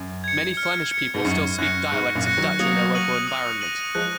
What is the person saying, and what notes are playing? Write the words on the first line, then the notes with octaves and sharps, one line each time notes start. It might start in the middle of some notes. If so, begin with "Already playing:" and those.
Many Flemish people still speak dialects of Dutch in their local environment.
Already playing: F#2
G#6 C#7
F6
G#6 C#7
G#2
F#2 C#6
F#2 F#6 A#6 C#7
G#2 C#6
F#2 A#2
F#6 A#6 C#7
D#3 F#3
F#3 A#3 D#6
A#6 D#7 F#7
D#6
A#6 D#7 F#7
F3 G#3 F#6